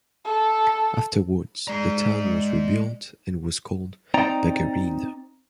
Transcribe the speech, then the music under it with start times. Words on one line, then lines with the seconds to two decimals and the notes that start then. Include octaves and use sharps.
Afterwards the town was rebuilt and was called Bagherino.
0.24 A4
1.68 G#3 D5 A#5
4.14 C4 D#4 D5 G5 A#5